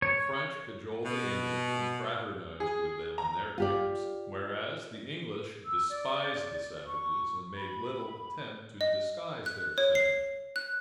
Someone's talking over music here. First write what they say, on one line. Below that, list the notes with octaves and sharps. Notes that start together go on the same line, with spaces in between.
The French cajoled the Indians, and fraternized with them in their camps; whereas, the English despised the savages, and made little attempt to disguise their sentiments.
C#5
B2
G#4
A#5
F4 G4 D5
E6
D5
C#6
B5
D#5
F#6
C#5
C7
F#6